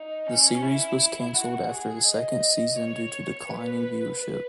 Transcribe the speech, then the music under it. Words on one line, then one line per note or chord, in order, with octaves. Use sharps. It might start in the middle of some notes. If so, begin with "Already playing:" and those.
The series was cancelled after the second season due to declining viewership.
Already playing: D#4
C#4
E4
F#4
G#4
D#5
C#5
B4
B4